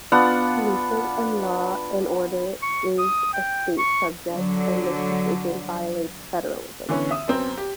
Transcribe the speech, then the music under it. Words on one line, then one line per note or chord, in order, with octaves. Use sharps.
Policing and law and order is a state subject, and this decision violates federalism.
B3 D4 F4 F#5
C#6
D#6
G5
C#6
D3 F#3
D3 E3 B3 C#4
E5 D#6
F#2 B3 C4
G4